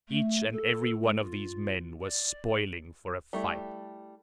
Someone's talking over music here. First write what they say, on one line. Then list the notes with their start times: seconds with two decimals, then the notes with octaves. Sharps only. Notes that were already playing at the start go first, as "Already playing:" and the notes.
Each and every one of these men was spoiling for a fight.
0.08 A3
0.51 A4
1.02 G#3
1.20 F4
2.01 D5
3.33 G3 A3 E4